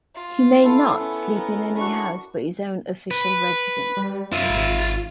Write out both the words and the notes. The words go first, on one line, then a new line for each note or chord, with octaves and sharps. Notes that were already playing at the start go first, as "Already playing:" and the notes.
He may not sleep in any house but his own official residence.
F4
E4 A4
B3 C#4
A#4
D4 F#4 C#6
B4
G3
F#2 F4 E5
G#1